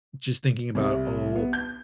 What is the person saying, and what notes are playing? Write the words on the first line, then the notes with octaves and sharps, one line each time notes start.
just thinking about, oh,
C2
B3
G6